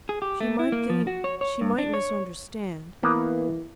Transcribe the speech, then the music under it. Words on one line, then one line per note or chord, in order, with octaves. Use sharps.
She might think--she might misunderstand.
G#4
G4
A3
E4
A#3
F3
F#4
C#5
C#5
G2
D4
C#5
E3 A#3 B3